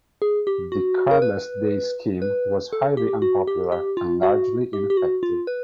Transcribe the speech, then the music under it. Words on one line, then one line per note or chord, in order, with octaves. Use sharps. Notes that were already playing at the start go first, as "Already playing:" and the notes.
The carless days scheme was highly unpopular, and largely ineffective.
G#4
G4
F#4
A#4
B4
B4
A4
G4
F#4
G4
G4
F4
F#4
G4
G4
F#4
F4
B4